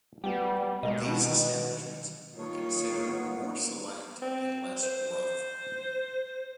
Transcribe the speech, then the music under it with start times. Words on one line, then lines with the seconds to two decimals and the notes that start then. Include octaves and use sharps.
These establishments were considered more select and less rough.
0.24 G3 B3 G4
0.83 B2 G#3 A#4 D#5
1.27 D#3
2.36 D#3 A#3 F4 C#5
3.02 B3
4.22 C4
4.83 C5